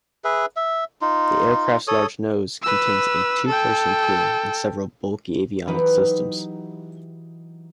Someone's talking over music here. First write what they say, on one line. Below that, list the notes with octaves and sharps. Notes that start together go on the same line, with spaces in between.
The aircraft's large nose contains a two-person crew and several bulky avionics systems.
G#4 B4 E5
E5
D#4 F4
A4 C#5 D#6
B4 E6
A4 G5
E3 F#3 D#4 G4 B4 D#5